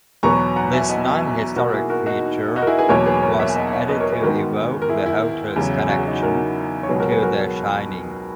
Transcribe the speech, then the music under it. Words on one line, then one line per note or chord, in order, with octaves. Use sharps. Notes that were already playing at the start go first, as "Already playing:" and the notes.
This non-historic feature was added to evoke the hotel's connection to "The Shining".
E2 B2 F#3 B3 A#5 C#6
F#5 A#5
E5 G#5
D#5 F#5
B2 A#3 F#4 A#4
E4 G#4
F#4 A#4
D#4 F#4
D#4 F#4
A#4
E4 G#4
G#4 B4
E2 B2 F#3 A#3 A#4 C#5
G#4 B4
A#4 C#5
C#5 E5
G#5
D#5 F#5
F#5
C#5 E5
B4 D#5
A#4 C#5
G#4 B4
G#2 D#3 G#3 B3 F#4 A#4
A#4
E4 G#4
E4
E2 C#3 F#3
F#4
G#4
D#4 F#4
F#4 A#4
C#5
C#2 B2 F#3 G#4 B4
F#4 A#4
G#4 B4
F#4 A#4